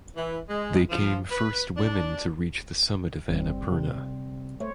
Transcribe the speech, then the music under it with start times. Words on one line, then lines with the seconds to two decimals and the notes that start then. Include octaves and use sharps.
They came first women to reach the summit of Annapurna.
0.17 E3
0.49 G#3
0.90 F3
1.31 B4
1.77 D4
3.30 F#1 G3 C4
3.72 C3
4.61 A3 C5 C#5